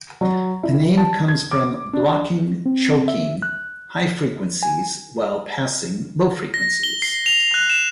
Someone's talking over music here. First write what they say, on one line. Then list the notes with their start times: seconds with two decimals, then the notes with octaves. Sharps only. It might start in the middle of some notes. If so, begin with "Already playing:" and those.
The name comes from blocking-"choking"-high frequencies while passing low frequencies.
0.21 F#3
0.63 E4
0.97 A5
1.28 G#6
1.51 D6
1.93 D4
2.66 C4
3.08 E5
3.42 F#6
4.63 G#5
6.54 A#6
6.83 G7
7.02 C7
7.26 F7
7.54 F#6
7.70 E7